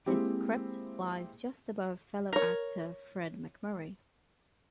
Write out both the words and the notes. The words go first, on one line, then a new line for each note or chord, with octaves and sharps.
His crypt lies just above fellow actor Fred MacMurray.
G#3 A#3 C4 E4 G4
A#4 C#5